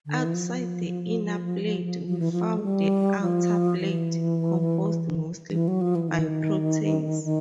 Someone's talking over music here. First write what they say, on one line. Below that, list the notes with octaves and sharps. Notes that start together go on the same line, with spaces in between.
Outside the inner plate we find the outer plate, composed mostly by proteins.
D3
D#3
E3
F3
F3
E3
F3
G#3
G3
F3
E3
E3
F#3
F3
E3
D#3
D#3